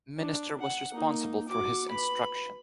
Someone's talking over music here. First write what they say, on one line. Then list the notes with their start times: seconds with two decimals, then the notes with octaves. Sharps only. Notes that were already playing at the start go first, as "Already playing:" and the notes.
Minister was responsible for his instruction.
0.18 D4
0.60 F#5
0.93 A#3 D#4
1.48 F#4 D6
1.90 B4 B5